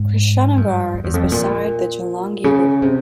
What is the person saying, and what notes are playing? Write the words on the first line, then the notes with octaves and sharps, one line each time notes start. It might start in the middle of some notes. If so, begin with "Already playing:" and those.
Krishnanagar is beside the Jalangi River.
Already playing: G#2
G2
F2
E2
F2
G#2
A#2
C#3
C3